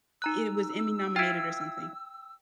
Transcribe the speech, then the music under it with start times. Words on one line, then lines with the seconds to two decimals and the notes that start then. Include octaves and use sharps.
It was Emmy nominated or something,
0.22 D#4 A#5 E6 F#6
1.16 E4 F4 G5 G#6